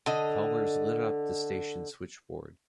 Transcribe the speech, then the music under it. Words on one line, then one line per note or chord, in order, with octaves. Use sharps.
Callers lit up the station switchboard.
D3 D#5